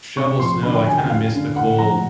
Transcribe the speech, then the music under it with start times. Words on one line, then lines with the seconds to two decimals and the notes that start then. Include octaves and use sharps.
shovel snow, I kinda miss the cold.
0.16 C3 C#6
0.40 F3 C6
0.63 D3 B5
0.75 G5
0.86 F#3 G#5
0.97 G5
1.09 F#2 F5
1.33 D3
1.56 A2 F#5
1.79 F3 A#5